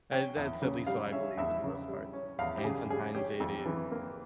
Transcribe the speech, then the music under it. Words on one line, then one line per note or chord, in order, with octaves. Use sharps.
Uh, that's at least what I believe in the most cards. And sometimes it is
C#4 G5
E2
C#3
G3 F5
C#4 E5
E2 E5
C#3
G3
C#4
E2 F5
G4
C#3 G#4
G3 G#4
C#4 G4
F2
E3
A#3